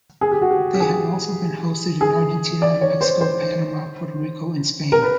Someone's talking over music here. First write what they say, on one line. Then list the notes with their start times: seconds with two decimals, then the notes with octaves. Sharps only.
They have also been hosted in Argentina, Mexico, Panama, Puerto Rico, and Spain.
0.21 G#4
0.31 G4
0.42 F#4
0.51 G4
0.74 G4
0.80 G#4
2.01 G#4
2.62 D5
2.81 C#5
3.01 C5
3.21 C5
4.92 A#4
5.02 B4